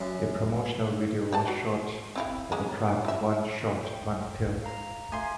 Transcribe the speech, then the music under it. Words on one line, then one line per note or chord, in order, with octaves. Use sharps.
A promotional video was shot for the track "One Shot, One Kill".
F#2
C5 D5 A5
F#4
C4 E4 F5
G#3 A#3 C#4
E4 E5
G5
F5 A#5
A3 F5 G#5 C6